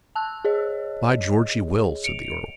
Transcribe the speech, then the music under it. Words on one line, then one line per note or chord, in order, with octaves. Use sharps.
"By George, he will," said the earl.
A5 E6 F#6
G#4 C#5 D#5
C#7 D7 F7